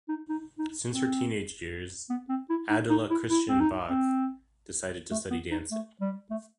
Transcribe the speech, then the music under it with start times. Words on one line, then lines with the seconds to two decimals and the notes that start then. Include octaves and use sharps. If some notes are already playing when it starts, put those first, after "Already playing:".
Since her teenage years, Adela Christian Bach decided to study dancing.
0.09 D#4
0.29 D#4
0.59 D#4
0.90 C4
2.10 B3
2.29 C4
2.50 E4
2.70 D#4
2.90 D#4
3.11 E4
3.30 E4
3.49 C4
3.60 D#4
3.90 C4
5.11 A3
5.31 B3
5.51 D#4
5.71 A3
6.01 G3
6.31 A3